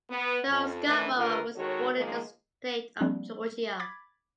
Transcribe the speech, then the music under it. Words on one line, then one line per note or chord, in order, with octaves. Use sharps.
Joe Scarborough was born in the state of Georgia.
B3
F2
D#3 E3 A3 C#4 D4 B4
D#2 D3 F4 A#4 B4
D#3 G#3 F#4 A4 C#5
D#3 F3 G#3 A#3
F3 G3 A#3 C4 D4
B5 D6 G#6 A6 B6